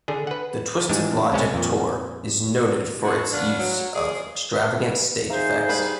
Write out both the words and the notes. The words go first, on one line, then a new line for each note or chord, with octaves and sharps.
The Twisted Logic Tour is noted for its use of extravagant stage effects.
D3 D4 G#4
B4 F#5
G#2 E3 G3 G#3 D4
C2 B2 G#3 C#4 C#5 A5
F2 A#2
D4 F4 F#4 G#4 A4 D#5
A3 B3 D4 F#4 B4 F5
F#3
F4 G#4 D5
D#4 G#4 C5 E5 F5 A#5
G3 B4